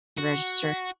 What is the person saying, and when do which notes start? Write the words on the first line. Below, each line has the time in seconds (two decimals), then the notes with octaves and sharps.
The register?
0.18 F#4